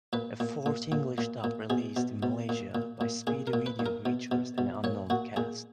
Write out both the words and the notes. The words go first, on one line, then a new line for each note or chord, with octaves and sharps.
A fourth English dub released in Malaysia by Speedy Video features an unknown cast.
A#2 B4
A#2
A#2
A#2
A#2
A#2
B2 G#4
B2
B2
A#2
A#2
A#2
A#2 G#4
A#4
A#2
B4
A#2
A#4
B2
B2
B2
A#2 C#5
A#2 F#4
A#2 G#4